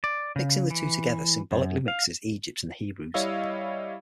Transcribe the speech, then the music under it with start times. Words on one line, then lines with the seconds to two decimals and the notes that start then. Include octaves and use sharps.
Mixing the two together symbolically mixes Egypt and the Hebrews.
0.04 D5
0.36 C#3
0.70 E3
1.52 F#2
1.88 F5
3.14 G3 E4 C#5 D#5 F5 E6